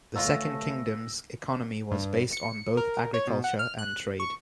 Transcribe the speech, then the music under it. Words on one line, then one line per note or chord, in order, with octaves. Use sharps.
The second kingdom's economy was based on both agriculture and trade.
A3 B3 C#4 F4 E6 A#6
G2
C#7
A#4
C#5
B2
F#5
F6
F#6
C#6